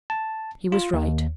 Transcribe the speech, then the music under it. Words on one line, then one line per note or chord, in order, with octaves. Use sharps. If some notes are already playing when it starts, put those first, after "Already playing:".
He was right.
A5
F4
D#2